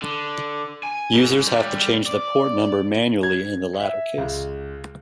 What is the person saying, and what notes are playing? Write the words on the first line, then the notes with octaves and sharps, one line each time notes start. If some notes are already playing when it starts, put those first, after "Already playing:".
Users have to change the port number manually in the latter case.
D3
G#5
G#2
D3 G3
D5
G#6
E5
C#2